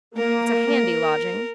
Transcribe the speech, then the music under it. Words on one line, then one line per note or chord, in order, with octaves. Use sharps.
It's a handy lodging.
A#3 A#4